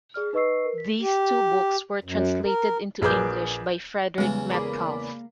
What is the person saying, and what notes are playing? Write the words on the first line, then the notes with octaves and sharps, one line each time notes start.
These two books were translated into English by Frederick Metcalfe.
G#4 D5 F6
D#4 B4 D#5 C#6 E6 C7
A#4
B6
G4
F#2
A#4
A#1 G#4 A#4 B4 D6 G6
E2 C#3 G3 G#3
A#3 G#4 D5 B5 D6